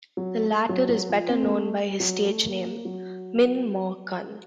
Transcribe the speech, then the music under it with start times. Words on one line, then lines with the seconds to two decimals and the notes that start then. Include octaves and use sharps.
The latter is better known by his stage name Min Maw Kun.
0.17 F#3
0.43 A3
0.69 F#3
0.89 F#3
1.09 F3
1.28 C4
1.43 A#3
1.48 A3
2.00 F#3
2.26 A3
2.46 A#3
2.65 A#3
2.85 F#3